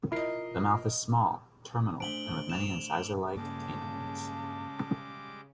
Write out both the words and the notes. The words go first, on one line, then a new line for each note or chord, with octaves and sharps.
The mouth is small, terminal and with many incisor-like canines.
E4 F4 A#4 D#5 C7
A3 D4 C5 D7 F#7 G7
E7 F7
G2 C#3 G3 G#3 A#3 A5 D6